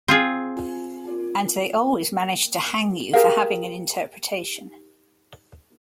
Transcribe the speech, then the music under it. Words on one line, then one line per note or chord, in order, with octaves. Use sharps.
And they always manage to hang you for having an interpretation.
C4 F4 G#4
G4 G#4 A#4 F5